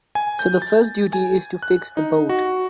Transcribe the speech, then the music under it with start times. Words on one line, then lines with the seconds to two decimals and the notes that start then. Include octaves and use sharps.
So the first duty is to fix the boat.
0.15 G#5
0.39 G6
0.62 A6
1.13 G#5
1.63 F#6
1.97 D#4
2.29 F#4